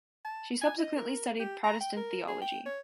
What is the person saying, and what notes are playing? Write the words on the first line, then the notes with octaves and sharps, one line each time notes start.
She subsequently studied Protestant theology.
A5
G#5
D#5
A#4
G4
A#5
G5
A#4
G#4
G5
C#5